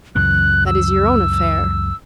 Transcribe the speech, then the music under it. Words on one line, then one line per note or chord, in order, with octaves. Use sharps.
"That is your own affair."
C#2 F#2 E3 F#6
E6